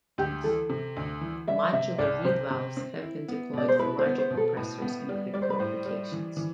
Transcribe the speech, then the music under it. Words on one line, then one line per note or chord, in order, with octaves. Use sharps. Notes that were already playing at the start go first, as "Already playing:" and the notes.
Modular Reed Valves have been deployed for larger compressors in critical applications.
D2 G4
E3 A4
C3
D2
E3
G3 E5
C3 E5
C2 D5
C3 C5
C3
C4
E4
B3
B2 D5
C5
E4 B4
C5
B3
C5
B2
A4
A2 B4
B3
G3
G3 D5
C5
B4
A2 C5
G3
E3
E3